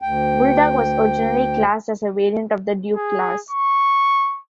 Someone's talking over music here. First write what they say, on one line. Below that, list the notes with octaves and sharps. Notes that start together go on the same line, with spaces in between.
"Bulldog" was originally classed as a variant of the Duke Class.
D2 G5
G#4
C#6